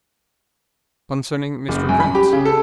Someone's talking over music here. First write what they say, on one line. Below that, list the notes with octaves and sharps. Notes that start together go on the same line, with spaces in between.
"Concerning Mr. Wrent."
F#1
F#2
B5
G4
C#3
A4